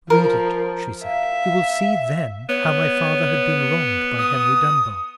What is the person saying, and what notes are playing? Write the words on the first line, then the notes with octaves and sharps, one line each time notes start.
"Read it," she said; "you will see then how my father had been wronged by Henry Dunbar."
F3 A#4
E5 F5
B3 C#5
D#6